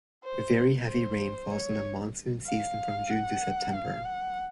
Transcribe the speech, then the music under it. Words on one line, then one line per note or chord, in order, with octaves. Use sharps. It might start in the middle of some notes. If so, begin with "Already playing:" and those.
Very heavy rain falls in the monsoon season from June to September.
C5
C5
C#5
F5
F#5
F5
F#5